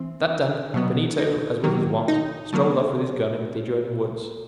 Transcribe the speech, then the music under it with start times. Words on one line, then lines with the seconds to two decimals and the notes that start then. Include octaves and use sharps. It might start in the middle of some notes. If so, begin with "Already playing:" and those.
That done, Benito, as was his wont, strolled off with his gun into the adjoining woods.
Already playing: E3 C4
0.74 B2 F#3 B3
1.19 D#4
1.64 D#3 F#3 A#3
2.08 D#4
2.53 D3 F#3 A#3